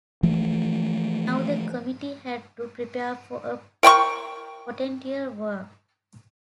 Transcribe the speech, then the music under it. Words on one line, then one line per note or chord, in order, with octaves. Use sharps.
Now, the committee had to prepare for a potential war.
E3 F3 A3
A#4 G5 B5 C#6